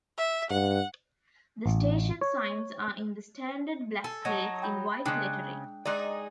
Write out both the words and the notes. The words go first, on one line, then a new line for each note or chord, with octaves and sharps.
The station signs are in the standard black plates in white lettering.
E5
G2 F#5
A1
C#5
A4 G#5
F#3 D#4 A5 C#6 G#6
G5 B5 G6
C#3 G#3 D4 G5
G#3 D#4 G#4 D5